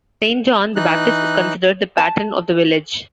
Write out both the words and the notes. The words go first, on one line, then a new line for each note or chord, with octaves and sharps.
Saint John the Baptist is considered the patron of the village.
E3 D#4 F#6
A5